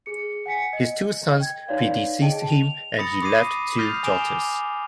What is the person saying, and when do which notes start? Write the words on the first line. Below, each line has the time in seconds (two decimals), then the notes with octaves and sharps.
His two sons predeceased him and he left two daughters.
0.06 G#4 C#7
0.46 F#5 G#5 B6 C#7
0.73 D#5
1.40 G5 G#6
1.68 D#4 F#4 B4 C#5 D5 F5
2.21 G#4 D#5 G5 A5 D7
2.50 F7
2.99 B5 D#6 A6 A#6 C#7
3.22 D6 D#6 C7 D#7
3.78 D#6 F6 G6 A6 C7 F7
4.03 G#5 D6 D7 E7 F7 G7